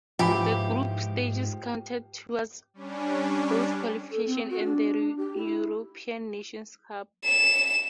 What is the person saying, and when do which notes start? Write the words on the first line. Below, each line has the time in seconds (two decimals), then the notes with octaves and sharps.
The group stages counted towards both qualification and the European Nations Cup.
0.19 G#2 E3 F3 E4 G4 B5
2.74 G3 C#4 D4
4.11 A4
4.26 C4
4.50 F#4
4.63 D4
5.17 G4
5.37 E4
7.25 E7